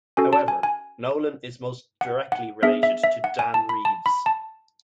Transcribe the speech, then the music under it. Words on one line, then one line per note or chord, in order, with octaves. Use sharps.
However, Nolan is most directly related to Dan Reeves.
C#4 F#4 A4 G#5
A5
G#5
G#5
F#5
F#5
B3 D4 G#4 E5
E5
E5
F#5
G#5
A5
B5
A5
B5
A5